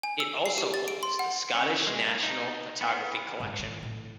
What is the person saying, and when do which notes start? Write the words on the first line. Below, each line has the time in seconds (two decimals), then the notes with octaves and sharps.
It also holds the Scottish National Photography Collection.
0.03 G#5
0.20 E6
0.46 C7
0.58 G4
0.74 A6
0.88 D7
1.03 C6
1.19 F#5
1.55 C#4
1.87 G#3
2.08 A#3
2.23 D#4
2.81 B3
3.40 G#2
3.59 D#3
3.83 A2